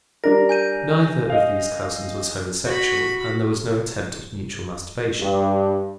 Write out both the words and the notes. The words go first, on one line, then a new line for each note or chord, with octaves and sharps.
Neither of these cousins was homosexual, and there was no attempt at mutual masturbation.
G3 D4 A#4 A#6
G#5 G6 D#7
D#5 F5
F#4 B5
G2